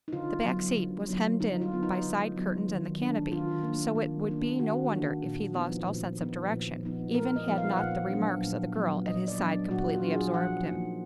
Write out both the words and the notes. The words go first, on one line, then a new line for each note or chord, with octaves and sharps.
The back seat was hemmed in by side curtains and the canopy, so it would be no wonder if he lost all sense of direction, even had not the remarks of the girl at his side completely absorbed him.
D#4
D3 F4
F#3 B3 D#4
D3
F#3 B3 D#4
D3 D#4
F4
F#3 B3 D#4
D#4
D3
F#3 B3 D#4
D#3
A#3 D4
D#3 F4
A#3 D4
D#3
A#3 D4
D#3 F#4
A#3 D4
A#2
F3 B3 D#4
A#2
F3 B3 D#4
A#2
F3 B3 D#4
A#2 A#4
D#5
F3 B3 D#4
F5
F#5
A#2 F5
F#3 B3 D4
A#2
F#3 B3 D4
A#2 D#5
D5
F#3 B3 D4
A#2 F#4
F4
F#3 B3 D4
G#4
F3 F#5
A#3 D#4